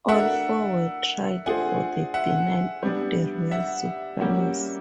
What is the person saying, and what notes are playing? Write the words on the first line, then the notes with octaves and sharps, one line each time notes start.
All four were tried for the denial of the royal supremacy.
A3 D4 F#4 A#4 E5 F#5
A3 D4 F4 G#4 C5 F#5 G#5
E5 F#5
G3 B3 D4
E5 F#5
G3 A#3 C#4 F#4